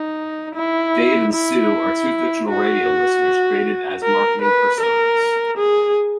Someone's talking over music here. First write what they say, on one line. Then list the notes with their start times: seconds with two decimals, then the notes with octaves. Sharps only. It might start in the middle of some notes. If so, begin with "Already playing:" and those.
Dave and Sue are two fictional radio listeners created as marketing personas.
Already playing: D#4
0.55 E4
1.33 E4
2.48 F#4
4.03 A#4
4.42 B4
4.80 A#4
5.58 G#4